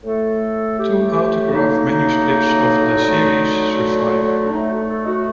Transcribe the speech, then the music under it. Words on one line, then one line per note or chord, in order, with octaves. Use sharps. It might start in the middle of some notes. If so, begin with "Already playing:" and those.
Two autograph manuscripts of the "Series" survive.
A2 A3 A4
G4
A2 F#3 A#3 D#4
D#4
D#4
D3 F#3 A3
F#4
D4
A2 A3 D#4
F#4
A4
D#4
F#4